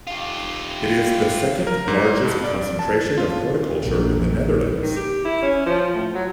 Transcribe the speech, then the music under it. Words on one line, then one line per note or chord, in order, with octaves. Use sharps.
It is the second largest concentration of horticulture in the Netherlands.
F4 G4
A#4
G#2
F2
D5
A5
F4
A#1
D#3
G4
E4
C#4
F3
A2
F#3